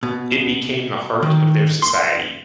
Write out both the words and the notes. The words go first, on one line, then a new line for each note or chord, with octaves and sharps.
It became the heart of their society.
B2
D#3
C6